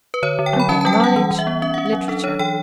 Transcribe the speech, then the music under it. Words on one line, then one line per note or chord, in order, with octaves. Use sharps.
Compare KNOWLEDGE; LITERATURE.
B4
D3 C#5
D3
G5
F#3
B5
C#4 A5
A5
G3 G5
A5
G3 F#5
E3 F#5
E3
E5
B3
C#4 E5
C#4 F#5
E5
F#3
D4 A4
D4 C#5
E3 G5